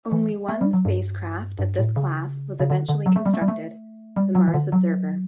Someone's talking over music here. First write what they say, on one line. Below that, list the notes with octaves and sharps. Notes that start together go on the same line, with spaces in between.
Only one spacecraft of this class was eventually constructed-the "Mars Observer".
E3
A3
G3
F#3
G2
G2
A2
C#3
C#3
D3
D3
F#3
A3
G3
A3
G3
A3
G3
F#3
E3
D3
F#3